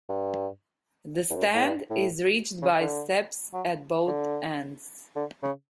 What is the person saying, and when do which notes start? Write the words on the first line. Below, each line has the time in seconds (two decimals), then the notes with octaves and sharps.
The stand is reached by steps at both ends.
0.09 G2
1.30 E2
1.35 F#2
1.54 A2
1.63 G2
1.90 A2
2.62 C#3
2.80 D3
3.53 F#3
4.07 D3
5.16 D3
5.43 C#3